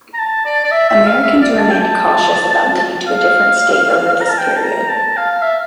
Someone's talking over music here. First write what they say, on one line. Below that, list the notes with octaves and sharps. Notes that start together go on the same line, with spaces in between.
Americans remained cautious about moving to a different state over this period.
A#5
A5
D5
D5
E5
E5
F5
E5
D5
A5
G5
A5
F5
A#5
A5
G5
A5
A#5
A5
F5
E5